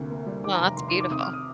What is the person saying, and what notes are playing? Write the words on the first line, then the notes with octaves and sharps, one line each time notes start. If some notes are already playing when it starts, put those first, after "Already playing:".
Well, that's beautiful.
Already playing: D2 C3 A#3
A#3
G3
D#2 D6
A#5
F1
A#5
F1 C6
C6
D#3
D6
C3 D#6
F6
D#6